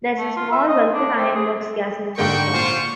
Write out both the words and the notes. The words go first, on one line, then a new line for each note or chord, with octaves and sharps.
There is a small Vulcan Iron Works gasoline switcher.
A3
F4
E5
D#5
D4
C4
G#4
G#2 D3 A#3 G5 C#6
A#2 F4 C5